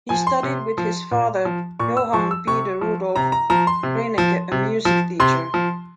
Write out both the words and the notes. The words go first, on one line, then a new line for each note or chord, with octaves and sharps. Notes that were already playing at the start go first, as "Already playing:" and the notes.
He studied with his father, Johann Peter Rudolph Reinecke, a music teacher.
F3 G#5
C6
C3
F3
A#2
F3
A#2 C#6
E6
F3 C#6
E6
C3 C#6
F3
C3 A#5
A#5
F3 A#5
C6
C3
F3
C3
F3
C3 C6
F3